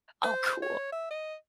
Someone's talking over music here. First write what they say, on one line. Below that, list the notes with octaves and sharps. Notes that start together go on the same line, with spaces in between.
Oh, cool.
C5
C#5
E5
D#5